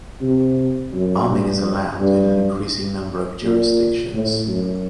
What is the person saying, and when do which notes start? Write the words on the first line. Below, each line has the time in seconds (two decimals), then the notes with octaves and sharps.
Arming is allowed in an increasing number of jurisdictions.
0.21 C3
0.94 F#2
1.28 G2
2.00 G2
3.43 A#2
4.13 A2
4.48 F#2